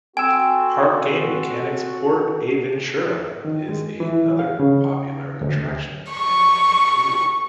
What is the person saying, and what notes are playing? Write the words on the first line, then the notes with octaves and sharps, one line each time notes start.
Park Game Mechanics Port Aventura is another popular attraction in Macul.
C4 F#4 A4 G5 G#5 E6
D#3
G#3
E3
F5
C#3
D2
C#6